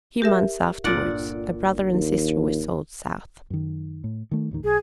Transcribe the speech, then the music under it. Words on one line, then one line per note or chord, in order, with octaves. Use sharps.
A few months afterwards a brother and sister were sold south.
G4 A#4 E5
G1 A#2 D5 F#5
D#2
F#2 D#3
A2
D#3 A3
A1 D#2 D#3
B1 G#4